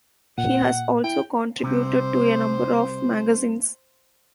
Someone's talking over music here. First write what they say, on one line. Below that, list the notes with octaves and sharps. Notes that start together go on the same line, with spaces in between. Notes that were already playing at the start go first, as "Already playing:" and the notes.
He has also contributed to a number of magazines.
A#2 F#5
E4 G5
C2 C3 C5